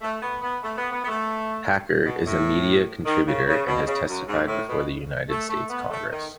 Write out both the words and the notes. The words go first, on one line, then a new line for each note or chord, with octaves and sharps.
Hacker is a media contributor and has testified before the United States Congress.
A3
B3
B3
A3
B3
B3
B3
A3
B2
A2
D#3
C#3
C#3
B2
C#3
F#2
G#2
A2
B2
A3
A3
B3
A3
D#3